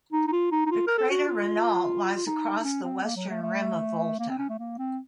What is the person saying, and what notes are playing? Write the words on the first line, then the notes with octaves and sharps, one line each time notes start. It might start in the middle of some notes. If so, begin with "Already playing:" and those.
The crater Regnault lies across the western rim of Volta.
D#4
D#4
F4
D#4
D#4
F4
A#4
A4
F#4
F4
F4
D#4
D#4
C#4
C4
A#3
F#3
A3
A3
A#3
C4
C#4
A3
A#3
C4